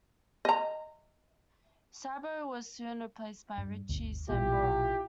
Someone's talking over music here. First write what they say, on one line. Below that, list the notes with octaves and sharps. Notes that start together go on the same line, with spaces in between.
Sabo was soon replaced by Richie Sambora.
D#5 A#5
G2
G1 D2
A#1 B2 E4 F4 G4